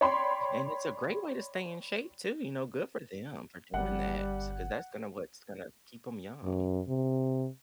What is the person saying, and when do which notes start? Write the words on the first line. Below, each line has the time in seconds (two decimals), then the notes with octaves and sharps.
And it's a great way to stay in shape too, you know, good for them for doing that, so 'cause that's gonna what's gonna keep ‘em young.
0.01 C#5 D5 G5 B5 C6
3.74 G1 G3 F#5
6.44 F#2
6.88 C3